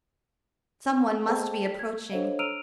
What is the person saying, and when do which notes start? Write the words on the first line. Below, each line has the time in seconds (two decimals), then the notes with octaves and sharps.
Some one must be approaching.
1.26 G#4 A4 C5 D#5 G5 A5
1.65 B6
1.79 G#6
2.11 D4 A4 C5 C#5 D#5 F5
2.39 A#5 E6 F6 D7 D#7 F7